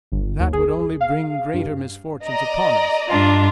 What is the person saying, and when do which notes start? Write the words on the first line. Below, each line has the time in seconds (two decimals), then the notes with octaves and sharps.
"That would only bring greater misfortunes upon us."
0.12 G1
0.40 D#2
0.53 G#4
1.01 F5
1.54 G2
2.25 D5 D#5 A#5
3.09 G2 D4 F4